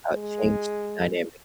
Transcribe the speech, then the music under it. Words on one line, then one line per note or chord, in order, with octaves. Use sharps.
uh, changed the dynamic,
G#3